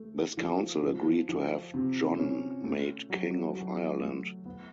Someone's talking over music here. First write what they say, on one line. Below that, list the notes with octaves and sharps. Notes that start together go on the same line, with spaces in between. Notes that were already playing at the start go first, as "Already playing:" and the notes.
This council agreed to have John made King of Ireland.
Already playing: A3
F3
F3
F3
C3
C#4
A3
F#3
F#3
A3
B3